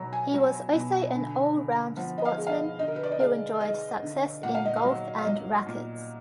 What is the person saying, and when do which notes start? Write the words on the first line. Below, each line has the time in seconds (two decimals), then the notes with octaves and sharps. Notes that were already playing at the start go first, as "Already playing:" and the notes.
He was also an all-round sportsman who enjoyed success in golf and racquets.
Already playing: B2 F#3 A#5
0.13 G#5
0.34 F#3
0.74 B2
1.15 D3
1.57 D3
1.97 F3 F#5
2.18 D#5
2.25 F5
2.38 G#3
2.47 F5
2.52 D#5
2.79 D3 D#5
2.88 A#4
2.96 B4
3.03 D5
3.11 D#5
3.20 G#3 F5
3.61 G#3 D#5
4.02 D3
4.43 A#2 F#5
4.55 F5
4.65 D#5
4.76 F5
4.85 F#3
5.18 F5
5.25 F#3 D#5
5.66 A#2